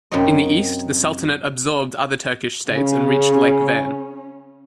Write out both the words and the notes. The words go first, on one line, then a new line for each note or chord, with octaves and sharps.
In the east, the sultanate absorbed other Turkish states and reached Lake Van.
F#2 C3 F#3 D#4 D#5
C#3 C#4